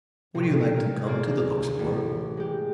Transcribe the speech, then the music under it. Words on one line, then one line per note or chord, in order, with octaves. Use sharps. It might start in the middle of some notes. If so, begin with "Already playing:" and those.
"Would you like to come to the Luxembourg?"
A2 C3
A#4
G#3 A#3 D5
A1
G#3 G4